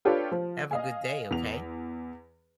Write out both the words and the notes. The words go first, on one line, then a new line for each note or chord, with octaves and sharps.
Have a good day okay.
D4 F4 G4 A4 B4 C#5
F3
D#5 F5 G#5
E2 F7